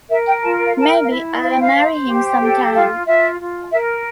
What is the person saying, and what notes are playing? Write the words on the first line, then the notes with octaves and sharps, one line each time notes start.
Maybe I'll marry him some time.
A#4 E5
G5
F4 A5
F5
A#4
A5
G5
F5
E4 E5
C5 F5
G5
F5
C5
G4
A4 G5
F4 F5
F4 E5
F4
A#4 E5